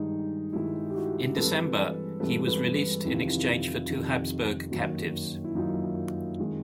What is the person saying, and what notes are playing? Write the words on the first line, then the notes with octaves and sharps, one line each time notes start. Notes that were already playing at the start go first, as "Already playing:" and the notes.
In December, he was released in exchange for two Habsburg captives.
Already playing: G2 D#3 G#3 D#4
G2 D#3 G#3 E4
G4
E4 F#4
G2 E3 G#3 C4 A4 B4
G2 E3 G#3 C4 A4 B4
A4 B4
F2 C3 D#3 E4
F4
E4
F2 C3 D#3
F#2 D#3 F#3 A#3
E4
F#2 D#3 F#3 A#3 D#4 F4
D#3 G#3 C4